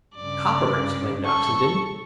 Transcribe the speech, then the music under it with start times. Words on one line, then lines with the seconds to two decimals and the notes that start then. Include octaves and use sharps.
"Copper!" exclaimed Oxenden.
0.15 G2 C#3 D5
1.24 A4 C#6